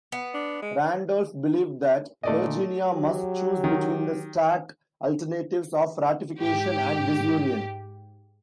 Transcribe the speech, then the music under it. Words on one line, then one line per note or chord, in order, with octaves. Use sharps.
Randolph believed that Virginia must choose between the stark alternatives of ratification and disunion.
B3
D4
G#3
A#2 A3 D5 D#5
F#3 G4
D#3
G#2 G4